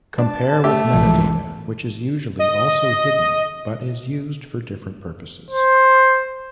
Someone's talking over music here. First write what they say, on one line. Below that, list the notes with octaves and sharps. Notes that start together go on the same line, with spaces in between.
Compare with metadata, which is usually also hidden, but is used for different purposes.
D4 A5
A3 G4 E5 D6
C2 G#2 E3 F3
D#5
C5